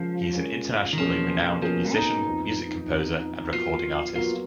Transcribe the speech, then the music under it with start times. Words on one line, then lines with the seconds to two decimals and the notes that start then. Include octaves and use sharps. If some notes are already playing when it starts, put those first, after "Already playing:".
He is an internationally renowned musician, music composer, and recording artist.
Already playing: C#3 F3 G#3 C#4 F4 A#4
0.34 C#3 G#3 C#4 F4 A#4
0.93 D#3
0.98 B2 F3 A#3 C#4 G#4
1.61 B2 F3 A#3 C#4 G#4
1.93 D#4
2.25 F2 F3 B3
2.89 F2 F3 B3
3.53 A#2 F#3 B3 F4 F#4 A#4
4.16 A#2 F#3 B3 F4 F#4 A#4